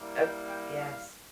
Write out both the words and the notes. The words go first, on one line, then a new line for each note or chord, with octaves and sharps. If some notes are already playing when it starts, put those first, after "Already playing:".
Uh Yes.
Already playing: G3 A#3 E4
G5
G5
F5